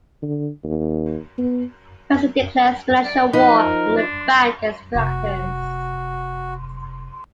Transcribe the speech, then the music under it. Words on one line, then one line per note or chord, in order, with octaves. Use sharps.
Benson declares "financial war" on the bank and its directors.
D3
D#2
B3
D5
F3 D#4 B4
A#4
D4
F1 C3 F#4